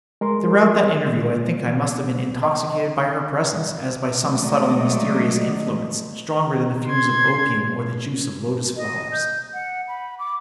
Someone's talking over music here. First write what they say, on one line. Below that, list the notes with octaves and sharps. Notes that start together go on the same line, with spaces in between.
Throughout that interview, I think I must have been intoxicated by her presence, as by some subtle and mysterious influence, stronger than the fumes of opium, or the juice of lotus flowers.
G#3 A#4 C6
D#5
F#3 G#3 A3 D5 D#5
C6 G#6
D#5
G6
F#5
B5
D6